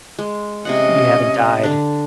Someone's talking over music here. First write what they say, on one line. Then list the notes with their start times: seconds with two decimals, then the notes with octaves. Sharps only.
You haven't died.
0.19 G#3
0.65 C3 C#4 G#4 D#5 F#5
1.63 D3 D4